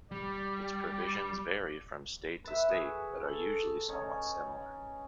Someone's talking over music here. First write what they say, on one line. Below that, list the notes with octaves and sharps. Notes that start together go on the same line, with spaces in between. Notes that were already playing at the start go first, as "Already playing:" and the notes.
Its provisions vary from state to state but are usually somewhat similar.
G3 D5
B4 E5
F#4 G#4 F#5
A4
C#4 D#4 C#5